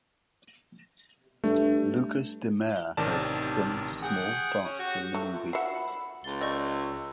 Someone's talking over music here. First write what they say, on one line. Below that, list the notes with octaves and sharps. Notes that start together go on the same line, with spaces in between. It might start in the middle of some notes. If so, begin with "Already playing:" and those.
Lucas Demare has some small parts in the movie.
G2 A3
A1 C3 D#3 D5 A5
G#4 F#5 G5
C#4
F#4 G4
A3
F4
F#4 E5 F#5 B5 C7
C#2 A6 G7
D5 D#5 C#6 E6 G6